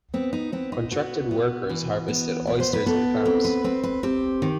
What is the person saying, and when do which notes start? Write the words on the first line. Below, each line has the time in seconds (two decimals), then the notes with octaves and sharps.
Contracted workers harvested oysters and clams.
0.14 B3 C4
0.33 D#4
0.52 B3 C4
0.72 D#4
0.91 B3 F#4
1.31 B3
1.69 E3
2.08 B3
2.47 B3
2.60 C5
2.73 B4
2.86 B3 A4
3.26 C4
3.45 B4
3.64 C4 B4
3.84 B4
4.03 C4 G4
4.42 D#3